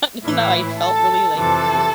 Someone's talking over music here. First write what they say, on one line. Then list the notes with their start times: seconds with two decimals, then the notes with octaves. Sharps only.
I don't know, I felt really, like
0.21 A2 E3 E4
0.78 A4
1.35 F2 C3 E3 A4